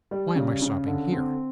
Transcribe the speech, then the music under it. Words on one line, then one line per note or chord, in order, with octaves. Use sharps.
"Why am I stopping here?"
G3
C#3
C#3
D3
C4